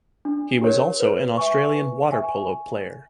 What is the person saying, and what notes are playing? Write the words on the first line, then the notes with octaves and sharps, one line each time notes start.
He was also an Australian water polo player.
D4
G4 A#4 C#5
B4
E5 G#5 C#6
B4
E5 G#5 C#6